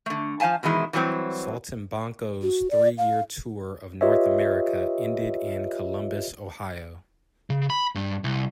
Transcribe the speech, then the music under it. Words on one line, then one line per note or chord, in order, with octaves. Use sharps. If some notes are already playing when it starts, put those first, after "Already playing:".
"Saltimbanco"'s three-year tour of North America ended in Columbus, Ohio.
D3 A3
F3 C5 F5 G#5 A5
B2 D#3 E3 G#3 E4
E3 F#3 G3 A3 C4
F#4
D5
F5
F4 G4 B4 C#5 D#5 E5
C#3
B5
G2
C2